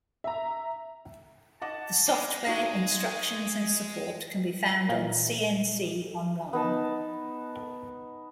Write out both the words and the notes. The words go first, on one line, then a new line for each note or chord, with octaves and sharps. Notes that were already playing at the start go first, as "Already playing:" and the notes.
The software, instructions and support can be found on CnC Online.
E5 A#5
D#5 F#5 A5 D6
G#3 D5
D#4 F#4 G#4
A#2
B3 D#4 A5